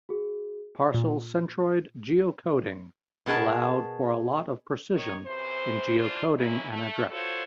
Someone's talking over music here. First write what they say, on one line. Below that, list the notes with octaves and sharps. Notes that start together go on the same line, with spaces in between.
Parcel-centroid geocoding allowed for a lot of precision in geocoding an address.
F#4 G#4
A#2
B2 B3 G#4 A#4 A5
D#3 C#5
F#2 C3 E3 C5
D3 E3 D4 F4 C5
D#2 A2 E3 F#3 C#4 E4
A3
G2 F4 F#4 A4 C5 C#5